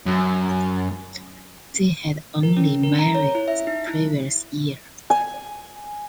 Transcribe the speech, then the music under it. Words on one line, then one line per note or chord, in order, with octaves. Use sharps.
They had only married the previous year.
F#2
A#4
C#4
A#4
A#5
C#5
E4
E5
D#4
E4
G#5